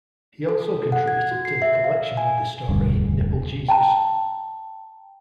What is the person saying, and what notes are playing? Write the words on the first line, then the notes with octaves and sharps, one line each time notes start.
He also contributed to the collection with the story "NippleJesus".
A4
F#5
G#6
F#4
C7
E5
F5
G#5
E1 D2 G2 C#3
G5 A5 A#5